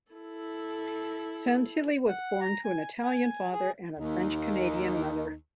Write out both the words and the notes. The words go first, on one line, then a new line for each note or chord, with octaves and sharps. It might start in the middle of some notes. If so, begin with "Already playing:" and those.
Santilli was born to an Italian father and a French-Canadian mother.
E4 A4
F#5
A#5
G#5
G#5
G#4
D#2 D#4